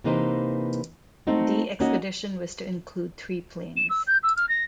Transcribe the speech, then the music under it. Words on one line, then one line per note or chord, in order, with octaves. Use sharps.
The expedition was to include three planes.
C3 E3 A#3 D#4 B4 C5
A3 C4 D#4 F#4
A#3 C#4 D#4 F#4 D#5
E7
E6
G6
E6
F6
A#6